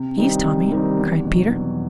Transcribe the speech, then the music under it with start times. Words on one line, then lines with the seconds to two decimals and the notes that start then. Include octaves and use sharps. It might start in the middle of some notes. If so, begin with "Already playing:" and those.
"Please, Tommy," cried Peter.
Already playing: C3
0.16 D#3 G3 C4 D#4
0.43 C3
0.70 D#3 G3 C4 D#4
0.98 E2
1.25 B2 F#3
1.51 E2